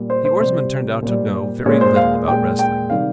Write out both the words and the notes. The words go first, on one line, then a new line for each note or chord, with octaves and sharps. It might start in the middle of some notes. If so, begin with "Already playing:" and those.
The oarsman turned out to know very little about wrestling.
Already playing: A#2 G3
C5
C5
C3 G3 C5
A#2
G3
A#2 G#3 C#5
C5
F5
A#2 G#3 G5
G5
C3 D#3 G3 F5